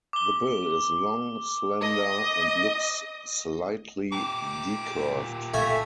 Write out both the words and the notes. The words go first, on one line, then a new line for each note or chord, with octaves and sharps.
The bill is long, slender, and looks slightly decurved.
D6 G7
D#5
A#2 G4 D6
A3 E5 F5 G#5